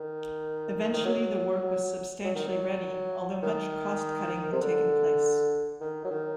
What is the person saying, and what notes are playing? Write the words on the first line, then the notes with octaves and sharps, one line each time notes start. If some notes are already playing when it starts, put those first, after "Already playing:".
Eventually the work was substantially ready, although much cost-cutting had taken place.
Already playing: D#3
D#3
F#3
F#3
D#3
F#3
D#3
C3
D3
D#3
F#3
D#3